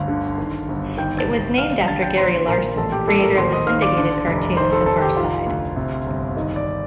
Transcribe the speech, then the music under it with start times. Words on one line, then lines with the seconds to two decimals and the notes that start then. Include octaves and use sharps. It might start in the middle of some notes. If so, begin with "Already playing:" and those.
It was named after Gary Larson, creator of the syndicated cartoon The Far Side.
Already playing: G1 D2 F5
0.08 D3
0.38 D#3
0.68 G1
0.98 D#3 G5 G6
1.18 A5 A6
1.28 C2
1.58 D#2 F5 F6
1.88 D3 A5 A6
2.02 G5 G6
2.17 A#1 C5 C6
2.47 A#2 A#4 A#5
2.77 A1 A4 A5
2.92 G4 G5
3.08 A2 A4 A5
3.22 A#4 A#5
3.37 D#2 C5 C6
3.53 D#5 D#6
3.67 D#3 F5 F6
3.82 D5 D6
3.97 D3
4.27 F1
4.57 D#3 C5 C6
4.72 A4 A5
4.86 F1 A4 A5
5.02 G4 G5
5.16 D#3 F4 F5
5.46 D2
5.76 C3
6.06 G1
6.37 D#3 D#4 D#5
6.56 D5